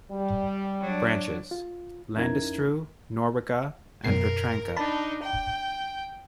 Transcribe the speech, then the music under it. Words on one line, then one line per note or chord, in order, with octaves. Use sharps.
Branches: Landestreu, Nowica, and Petranka.
G3
F#3 D4
F4
F2 C#4 D#4 E4 A#4 G#6
F#2 B2 A#4 C7
D4 D#4 A5 B5
G5